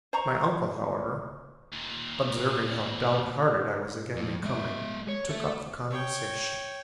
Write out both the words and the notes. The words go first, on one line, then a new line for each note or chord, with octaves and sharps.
My uncle, however, observing how downhearted I was again becoming, took up the conversation.
C5 A#5 C#6
D#2 A#2
F2
G#3 E5
C#5
A4 E5
C#5 G5